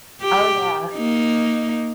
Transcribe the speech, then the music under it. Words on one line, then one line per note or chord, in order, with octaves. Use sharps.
Oh, yeah.
G4
A#3 D#4